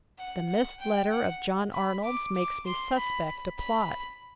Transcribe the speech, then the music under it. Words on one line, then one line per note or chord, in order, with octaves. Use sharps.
The missed letter of John Arnold's makes me suspect a plot.
F#5
F#5
G5
F#5
B5
D6
D6
C6
B5
B5